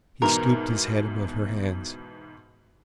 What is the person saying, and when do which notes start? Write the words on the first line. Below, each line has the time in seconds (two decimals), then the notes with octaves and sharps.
He stooped his head above her hands.
0.22 G#2 B2 E3 A#4